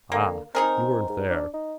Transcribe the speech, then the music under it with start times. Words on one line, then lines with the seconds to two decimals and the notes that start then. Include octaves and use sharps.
Ah, you weren't there.
0.12 D3 A#3
0.55 C4 D#4 G#4 A#4
1.09 G#2
1.30 D4
1.53 D#4